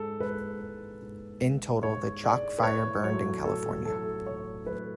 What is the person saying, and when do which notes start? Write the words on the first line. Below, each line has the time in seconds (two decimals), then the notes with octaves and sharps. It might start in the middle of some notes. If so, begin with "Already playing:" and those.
In total the Chalk Fire burned in California.
Already playing: G#2 G#3 A4
0.20 G#2 B4
0.61 G#3
1.02 G#2
1.42 G#3
1.83 G#2 C#5
2.24 G#3 D5
2.58 B4
2.63 A2 C#5
3.04 F#3 A3 C#5
3.45 A2 A4
3.85 F#3 A3 A4
4.26 A2 C#5
4.66 F#3 A3 B4